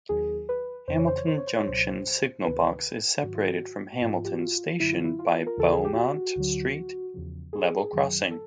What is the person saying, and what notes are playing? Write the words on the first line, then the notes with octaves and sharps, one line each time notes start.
Hamilton Junction Signal Box is separated from Hamilton station by Beaumont Street level crossing.
D#2 D#3 F#3 G#4
B4
F2 C#3 E3 C5
C#5
C5
C#5
C5
C#5
C5
C#5
C#2 B2 F#3 C5
D2 C3 D#3 B4
G#2 D#3 F#3 F#4
F4
F#4
F#4
G#2 F3 F4
G4
F#4
F4
F#2 D3 F#3 E4
F4
E4
F4
A#4
D#2 C#3 E3 A4
G#4
G4
F#4
D2 D3 F#3
E2 C#3 F3
G#4
F#2 D#3 F#3
A4